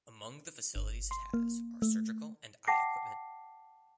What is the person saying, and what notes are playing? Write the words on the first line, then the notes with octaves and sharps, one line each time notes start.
Among the facilities it has are surgical and eye equipment.
G1
C6
A#3
A3
F#5 G5 A5 D6 A#6 C7